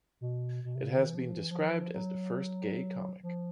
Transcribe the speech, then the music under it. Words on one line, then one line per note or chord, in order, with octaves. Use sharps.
It has been described as the first gay comic.
B2
B2
C3
C#3
D#3
E3
F3
E3
F3
E3
F3
F#3
F3